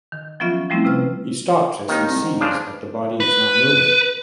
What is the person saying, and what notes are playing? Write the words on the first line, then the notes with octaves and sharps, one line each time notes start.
He stops as he sees that the body is not moving.
D#3
F3 F#3 B3 C#4 F4 E5
F3 G3 A3 C4 C#4 E4
C3 B4 F6
D#2 D#3 D#4
C2
G#2
C#3 F3 D4
B4